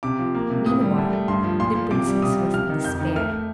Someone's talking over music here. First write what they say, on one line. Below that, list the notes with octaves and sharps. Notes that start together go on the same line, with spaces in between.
Meanwhile the princess was in despair.
C3 D6
F3
A#3
C3
A2 D#6
G3
A3
A3
G2 C6
F3
A#2 C6
F3
C3 D6
G3
C3 D#6
F3
C3 F6
D#3
F2 G6
D#3
A3 F6
A3